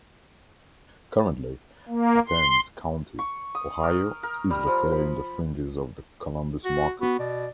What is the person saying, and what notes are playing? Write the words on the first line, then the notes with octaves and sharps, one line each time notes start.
Currently Athens County, Ohio is located in the fringes of the Columbus market.
A#3
C6
C#6
D#6
A#4
A#4
G3
F3
B5
F#4
B3 F#4
B2 D5